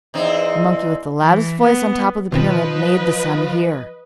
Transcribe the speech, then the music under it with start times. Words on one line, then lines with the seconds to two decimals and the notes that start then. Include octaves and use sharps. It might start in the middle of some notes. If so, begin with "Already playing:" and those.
The monkey with the loudest voice on top of the pyramid made the sun hear.
0.14 E2 C4 D#4
1.21 E3
1.62 B3
2.32 B2 D#3 F3 C4 B4 D#5